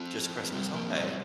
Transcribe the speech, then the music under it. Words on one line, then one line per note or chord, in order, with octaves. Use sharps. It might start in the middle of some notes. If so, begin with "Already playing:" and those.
Just Christmas okay.
Already playing: C4 F4
G3 C4
F3 A#3
G3 C4
G3